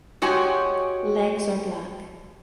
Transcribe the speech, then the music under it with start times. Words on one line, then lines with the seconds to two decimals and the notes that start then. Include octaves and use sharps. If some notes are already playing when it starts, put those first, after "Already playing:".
Legs are black.
0.22 G#3 F#4 G4 C#5 G#5